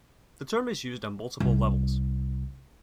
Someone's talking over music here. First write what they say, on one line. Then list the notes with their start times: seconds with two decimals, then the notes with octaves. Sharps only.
The term is used on multiple levels.
1.40 C2